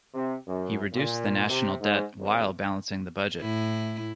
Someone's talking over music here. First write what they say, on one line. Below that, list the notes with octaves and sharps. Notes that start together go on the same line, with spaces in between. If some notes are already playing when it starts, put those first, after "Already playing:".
He reduced the national debt while balancing the budget.
C3
F#2
A#2
C3
G#2
G#1
A2 E4